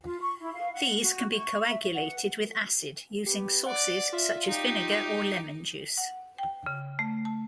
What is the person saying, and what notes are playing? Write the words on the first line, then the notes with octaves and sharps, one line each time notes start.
These can be coagulated with acid using sources such as vinegar or lemon juice.
F4
C#6
E4
F5
F#5
F#4
C#6
E5
F#5
B3 G4
D5 F#5
F4 E5
D#4 G4
F#5
G5
C#3
A3
A5